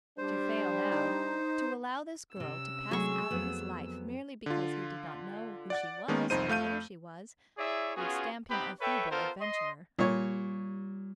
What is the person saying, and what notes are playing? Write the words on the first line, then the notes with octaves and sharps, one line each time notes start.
To fail now, to allow this girl to pass out of his life merely because he did not know who she was or where she was, would stamp him a feeble adventurer.
G3 D4 C5
D#4
C3 C#4 E6
F#3 G#3 A3 G#4 C#6
F2 F#3 B3
D3 F4
D5 F#5 A6
D#3 G#3 A#3 B3 C#4
C2 F2 D#4 C5 D#7
F2 A3 F5 G6 D#7
E4 G#4 C#5 D5 E5
B3 C#4 F4 F#4 G#4
B3 C4 D#4 G4 B4 B5
A4 B4 C#5 E5 G5
B3 F4 A4 A#4 C5
D#5 C6
A#2 G3 C#5